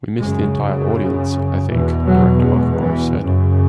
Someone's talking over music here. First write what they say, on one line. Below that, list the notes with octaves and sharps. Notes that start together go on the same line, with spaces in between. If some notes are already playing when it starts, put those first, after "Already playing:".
We missed the entire audience, I think, Director Mark Morris said.
F#2 C#3 G#3
E2 B2 E3
F#3
G#3
E3
F#2 C#3